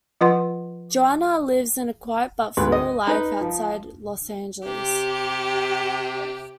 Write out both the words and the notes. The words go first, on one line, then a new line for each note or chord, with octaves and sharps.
Joanna lives a quiet but full life outside Los Angeles.
F3 F4 B4 F#5 C6
D2 G#2 B4
D#5 D#6
D#4 B4 D#5
F3
C3 G4